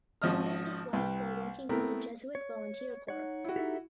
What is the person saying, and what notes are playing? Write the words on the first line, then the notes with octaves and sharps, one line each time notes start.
He met his wife while working for the Jesuit Volunteer Corps.
G#1 F3 C#4 D#5 D#6 F6
C2 B4 G5
A3 B3 C4 E4 A#4
C#5
D#4 C#5 F#5
E4 F#4
D#4 G4 A4 E5